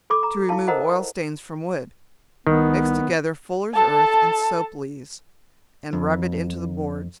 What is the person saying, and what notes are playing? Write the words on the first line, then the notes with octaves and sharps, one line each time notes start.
To Remove Oil Stains from Wood.--Mix together fuller's earth and soap lees, and rub it into the boards.
A4 B5 D6
A#5
E4 F4 F5 A5
A4 A#4 C5 D#5 F#5 A#5
C2 D#3 B3
A4 A5
F2